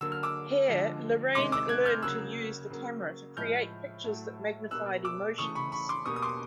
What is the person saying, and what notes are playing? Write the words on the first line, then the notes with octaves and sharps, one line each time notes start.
Here, Larrain learned to use the camera to create pictures that magnified emotions.
D3 F#3 A#3 E6
F6
D6 E6
D3 F3 G#3
C3 D#3 G#3 C6 D6
D6 E6
F#6 G#6
F6 G6
C#3 F#3 A#3 E6 F#6
C#3 F#3 A#3
A2 F3 G#3 F6 G6
A2 F#3 A3
B2 G3 A#3 E6 F#6
D6 E6
C#3 E3 A3 C#6 D#6
B5 C#6
B5 C#6
C6 D6
B2 G3 A#3 C#6 D#6
D#6
C6 D6